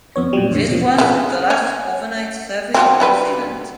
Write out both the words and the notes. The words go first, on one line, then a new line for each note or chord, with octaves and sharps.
This was the last overnight service in New Zealand.
F2 B3 C#5
A#2 F#3 G3
E2 A2 D3
B2 F3
C#3 B3
C#4
F3 F#3 C4
F#3 G3 B4